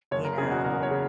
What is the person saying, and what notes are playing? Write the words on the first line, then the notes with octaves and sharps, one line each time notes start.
you know,
F#1 C#5
A#4
E2 C#3 G#4
F#4
F#1 A#4
C#5
C#3